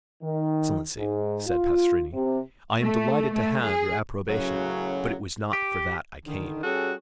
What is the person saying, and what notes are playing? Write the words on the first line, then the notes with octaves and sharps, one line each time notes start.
"Excellency," said Pastrini, "I am delighted to have your approbation, but it was not for that I came."
D#3
G#2
F4
C3
A3
A3
G#4
F#2 A2 C#3 F#3
G4
D3 D#3
G3 C#4 F#4 G#4 A4